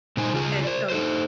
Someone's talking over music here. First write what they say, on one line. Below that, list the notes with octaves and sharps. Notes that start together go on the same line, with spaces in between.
and so,
A#2 G3 D#4 C5 G#5
C#3 F4 G#4 G#5
C5 D5
D#4 A4 C5